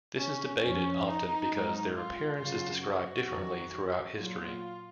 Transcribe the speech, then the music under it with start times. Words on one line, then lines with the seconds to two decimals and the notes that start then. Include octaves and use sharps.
This is debated often because their appearance is described differently throughout history.
0.17 C#4
0.61 F2 F3 C#4
1.07 D#4
1.51 G#2 F#3
1.95 F4
2.39 F#2 C#3 F#3 F4
2.84 F#4
3.28 F2 D#3 F#3
4.16 A#2 F#3 F4